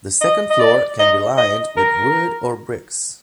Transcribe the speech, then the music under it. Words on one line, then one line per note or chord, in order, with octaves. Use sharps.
The second floor can be lined with wood or bricks.
D#5
D#5
D5
D#5
D#5
A#4